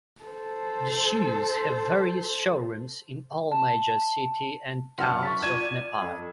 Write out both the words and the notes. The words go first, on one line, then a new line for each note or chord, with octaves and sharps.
The shoes have various showrooms in all major city and towns of Nepal.
A4 C5
A5
F#1 F#3 F#5 A5 C6 F6
C#6 A6 B6
F4 D5 G#6 D#7 E7
F2